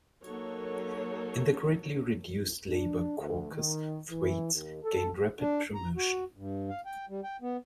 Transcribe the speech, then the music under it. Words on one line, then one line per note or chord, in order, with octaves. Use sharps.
In the greatly reduced Labor Caucus, Thwaites gained rapid promotion.
F#3 A#3 D#4 A4 C#5
D4
D2
D#3
E3
D#2
A4
D4
A#5
F#4
G2
F5
G5
G3
G5
B3